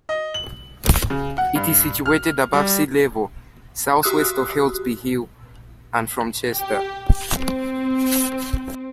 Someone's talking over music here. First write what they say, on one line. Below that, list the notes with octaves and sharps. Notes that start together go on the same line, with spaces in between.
It is situated above sea level, south west of Helsby Hill, and from Chester.
D#5
F#7
C#3
F#5
G2
F6
G3
F#4 G4 D#6 E6 F#6
G4
C4